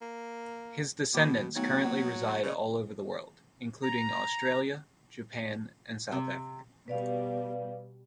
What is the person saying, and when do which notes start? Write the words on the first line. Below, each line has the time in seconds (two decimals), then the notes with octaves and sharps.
His descendants currently reside all over the world, including Australia, Japan and South Africa.
0.02 A#3
1.14 B2 D#3 A#3 D6
1.56 F#3 A3 B3 D#4
1.84 A#3
2.43 C#3
3.83 A#5
6.12 C3
6.88 B2 G3 B4 D5 F5